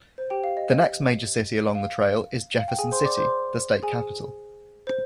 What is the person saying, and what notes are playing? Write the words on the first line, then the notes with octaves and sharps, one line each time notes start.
The next major city along the trail is Jefferson City - the state capital.
C5
G4 G5
F5
D#5
D#5
F5
F5
G5
G#4 G#5
C5 C6
D5 D6
C5 C6
G#4 G#5
C5